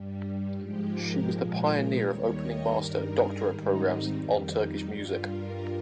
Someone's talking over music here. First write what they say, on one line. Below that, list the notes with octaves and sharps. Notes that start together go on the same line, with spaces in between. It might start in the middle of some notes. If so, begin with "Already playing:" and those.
She was the pioneer of opening master and doctorate programs on Turkish Music.
Already playing: G2 G3
G#2 F3 G#3 G4
A#4
A#2 F3 G#3
A#4
D#2 D#3 G3 C#5
D#5
G2 D#3 G3 A#4
G#4
G#2 D#3 G3 D#4
C4
F2 D#3 G3
D#4
G2 G3 F4
A#4